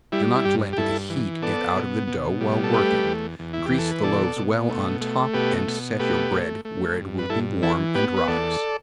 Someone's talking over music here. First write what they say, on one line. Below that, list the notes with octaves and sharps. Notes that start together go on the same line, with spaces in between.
Do not let the heat get out of the dough while working. Grease the loaves well on top and set your bread where it will be warm and rise.
G3 E4
E4
G2 G4
G4
G2 E4 A4
E3
B3 A4 D5
B2
B2
G3
A4
A3 G4 B4
E2
E2
E4
E3 G4
A4
B4
B2 A4 D5
B2
A3
A3
B2 G4 B4
B2
A3 G4 B4
A3
A3
G2
B4
G2 E4 A4
E3 E4 A4
B3 G4 B4
B4
E2 A4 D5